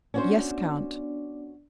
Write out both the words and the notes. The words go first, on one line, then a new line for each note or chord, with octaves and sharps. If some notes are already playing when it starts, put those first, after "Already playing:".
"Yes, count."
B3 C#4 D4 F#4 C5 D5